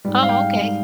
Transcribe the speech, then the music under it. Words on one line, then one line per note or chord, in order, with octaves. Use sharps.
Oh, okay.
G#2 G3
F5
G5
G#2 G3